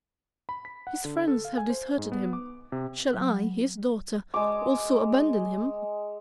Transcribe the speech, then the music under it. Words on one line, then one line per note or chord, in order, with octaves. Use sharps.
His friends have deserted him; shall I, his daughter, also abandon him?
B5
B6
F#5
D3
A4
F5
G#5
C5
G#2
B3
D6
C3
F#3
G#3 D6